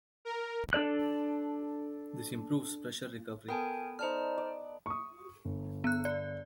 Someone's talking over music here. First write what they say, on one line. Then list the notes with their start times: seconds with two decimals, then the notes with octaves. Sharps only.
This improves pressure recovery.
0.25 A#4
0.73 D4 A4 D5 F#6
3.48 B3 A4 A#4 G5 G#5
3.99 D#4 C5 D5 A5 F6
4.38 D5
4.86 C#6 D#6
5.45 G1
5.84 B3 F#6
6.05 D5